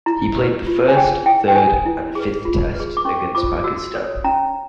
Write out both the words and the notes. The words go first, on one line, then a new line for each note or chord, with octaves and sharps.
He played the First, Third and Fifth Tests against Pakistan.
E4 A#5
G4 B4
F4
G#5
G#4 C#5 G5
E4 G5
G5
A4 C5 G#5
E4
G#4 B4
F4
G#4 B4
D6
C#4 C#6
F4 A4 C5 D6
F#4 E6
A4 C#5
C#4 A#5